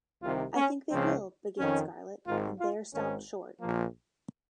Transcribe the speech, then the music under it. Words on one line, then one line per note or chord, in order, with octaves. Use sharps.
"I think they will," began Scarlett, and there stopped short.
C2 C3 D#3 F4
C#4
C#2 C#3 F3 C4
F2 D#3 C#4
G#1 G#2 D#3 F4
F4
G#1 G#2 D#3 C#4
A#1 A#2 F3 A#3